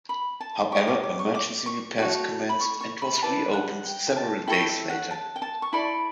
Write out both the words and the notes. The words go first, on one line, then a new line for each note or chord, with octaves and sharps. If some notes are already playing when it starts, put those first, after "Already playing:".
However, emergency repairs commenced and was reopened several days later.
B5
A5
G4 C#5 C#6
D6
D6
C#6
D6
C#6
F#4 A4 C#5
B5
C#6
C#6
B5
B5
E4 B4 D5 A5
F#5
G5
A5
E4 A4 C#5 G5
E5
F#5
A5
G5
A5
C#6
E4 A4 D5 B5